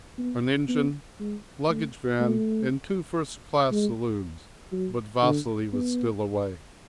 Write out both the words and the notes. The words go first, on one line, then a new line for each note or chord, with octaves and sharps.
An engine, luggage-van, and two first-class saloons; but Vasily was still away.
B3
B3
G#3
A3
A3
G#3
F#3
D3
B3